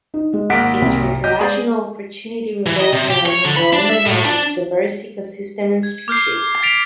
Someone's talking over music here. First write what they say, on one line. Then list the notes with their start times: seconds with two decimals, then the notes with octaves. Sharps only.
Its recreational opportunities revolve around enjoyment of its diverse ecosystems and species.
0.14 D#4
0.34 G#3
0.50 G#1 A#3 F#5 B6 D7
0.82 C2
1.24 G4 D#5 G6
1.41 G#3 G#4 D5
2.66 E3
2.80 D#5
2.93 C3
3.10 G4
3.26 C#5
3.45 D3
3.56 B5
3.73 D4
3.90 E5
4.06 A2
4.25 D4
5.83 G#6
6.08 D6 F6 G6 C7
6.62 A6 B6 D7 F7